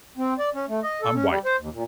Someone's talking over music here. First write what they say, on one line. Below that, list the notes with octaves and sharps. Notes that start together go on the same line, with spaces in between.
I'm white,
C4
D5
C#4
A3
D#5
A4
C#4
G3
C5
D#2
A#2